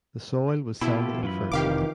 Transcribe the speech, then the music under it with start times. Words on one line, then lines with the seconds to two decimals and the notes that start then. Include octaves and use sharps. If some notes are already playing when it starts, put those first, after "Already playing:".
The soil was sandy and fertile.
0.81 B2 E4 F4 G4 A4
1.23 F#2 E3 F4 B5
1.52 F1 C3 D#3 G4 F5 D6